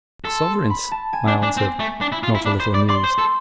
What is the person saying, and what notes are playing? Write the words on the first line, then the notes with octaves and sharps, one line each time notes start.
"Sovereigns," I answered, not a little amused.
A4 C6
B5
A5
G#5
D4
D4
C4
A3
D4
E4
F4
E4
D4 B5
C5
D5
D5 C6
C5
A4